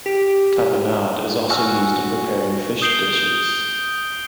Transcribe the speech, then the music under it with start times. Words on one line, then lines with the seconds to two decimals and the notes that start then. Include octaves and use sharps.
Tapenade is also used in preparing fish dishes.
0.06 G4
1.50 F#4 G#5 E6 F6
2.82 D#6 G6 C7 D7 G7